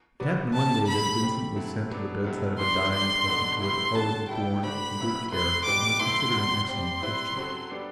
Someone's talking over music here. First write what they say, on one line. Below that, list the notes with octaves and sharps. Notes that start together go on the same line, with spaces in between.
It happened one day that Vincent was sent to the bedside of a dying peasant who had always borne a good character and was considered an excellent Christian.
F#3 B3 F#4 B4 D5
D3 A3 C4 G4 A5
F#2 D3 F#3 A3 B5
D3 A3 C4 G4
F#3 C4 E4 A4
F#3 B3 D4 A4
B2 F#3 C4 E4 A4
F#2 E3 B3 D4 C6
G3 D4 A4 C5 C6
B2 F#3 B3 D4 A4
A2 E3 B3 E4 C6
F#2 D3 A3 C4 F#4 A5
G3 B3 E4 G5
A3 D4 F#4 C5 B5
C3 F#3 B3 E4
C3 E3 A3 E4 B4 C6
B2 G3 C4 G4 B4 D6
A2 F#3 B3 E4 C6
E2 C3 G3
G3 C4 G4 C6
G3 C4 E4 B4 E5
F#2 F#3 C4 F#4 A4
G3 B3 D4 A4